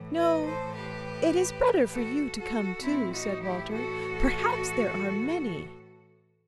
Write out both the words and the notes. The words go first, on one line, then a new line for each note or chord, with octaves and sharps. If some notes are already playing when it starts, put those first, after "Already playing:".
'No, it is better for you to come too,' said Walter. 'Perhaps there are many.'
Already playing: A2 E3
B4 D#5
A4 C5
G4 B4
F#4 A4
F#4 A4
A2 E3 C4 E4
D#4 F#4
E4 G4
F#4 A4